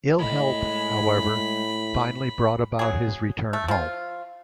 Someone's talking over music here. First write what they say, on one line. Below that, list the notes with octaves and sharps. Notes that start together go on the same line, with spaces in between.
Ill health, however, finally brought about his return home.
A2 G#3 D#5 B5
F#3 G#4
A3
F3 F4